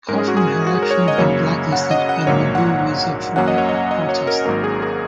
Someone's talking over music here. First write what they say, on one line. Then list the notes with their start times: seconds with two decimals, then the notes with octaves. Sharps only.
Kaufman had actually been blacklisted, and Magoo was a form of protest.
0.09 G#2 G#3 C#4 A#4
0.18 G#4
0.28 F#4
0.37 G#4
0.67 F#4
0.75 G#4
0.82 A#4
0.91 C#5
1.08 D#5
1.18 F#2 C#3 F#3 A#3 C#5
1.73 F#5
1.91 D#5
2.09 F#5
2.27 A#1 G#2 F#3 A#3 C#5
2.55 F#5
3.36 F#2 F#3 A#3 C#4 F#5
3.48 D#5
3.58 C#5
3.69 D#5
3.91 D#5
4.09 C#5
4.27 A#4
4.45 G#1 G#2 F#3 A#3 A#4
4.64 G#4
4.82 G#4